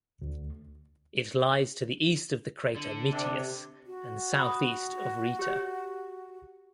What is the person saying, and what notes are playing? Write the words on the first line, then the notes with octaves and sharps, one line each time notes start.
It lies to the east of the crater Metius, and southeast of Rheita.
D2
D3
C3 D4
F#4
B5 D#6
G4 C#5